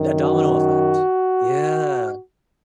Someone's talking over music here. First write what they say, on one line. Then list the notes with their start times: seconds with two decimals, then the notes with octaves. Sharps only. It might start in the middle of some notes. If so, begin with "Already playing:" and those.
a domino effect. Yeah.
Already playing: F#2 D#3
0.21 F#4